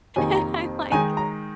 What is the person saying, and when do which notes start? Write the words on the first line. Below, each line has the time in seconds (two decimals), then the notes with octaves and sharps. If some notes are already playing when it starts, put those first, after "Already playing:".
and I'm like,
0.16 F2 C3 D#3 A#3 G#5
0.35 A#5
0.92 D#3 G#3 D#4 G#5
1.17 A#5